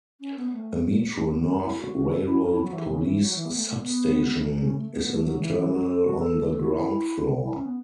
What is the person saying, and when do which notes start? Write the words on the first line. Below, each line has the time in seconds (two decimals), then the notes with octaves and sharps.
A Metro-North Railroad Police substation is in the terminal on the ground floor.
0.20 C#4
0.36 B3
0.53 A3
0.83 F#3
1.16 A3
1.30 B3
1.46 C#4
1.63 E4
1.78 F#4
1.94 F#4
2.09 A4
2.25 E4
2.41 C#4
2.51 E4
2.62 F#3
2.73 E3
2.88 C#3
3.04 E3
3.20 F#3
3.36 E3
3.45 B3
3.56 A3
3.66 A3
3.82 B3
4.61 C#4
4.77 A3
4.92 B3
5.03 B3
5.13 A3
5.24 F#3
5.40 E3
5.56 E3
5.71 F#3
5.87 A4
6.03 F#4
6.19 A4
6.49 A4
6.60 F#4
6.70 E4
7.43 E4
7.54 C#4
7.65 B3